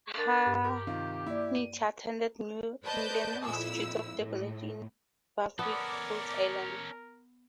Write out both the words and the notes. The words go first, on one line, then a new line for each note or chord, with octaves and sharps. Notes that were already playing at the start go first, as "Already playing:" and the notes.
Hannity attended New England Institute of Technology at Warwick, Rhode Island.
D4 A#4
G2
G4 A#4
C3 D#3 F4
A#3 E4 D5
D#7
B4 C5 D5 D#5 A5 G6
F2 A#2 E4 E6
A2
B3 C#4 A4 A#4 D5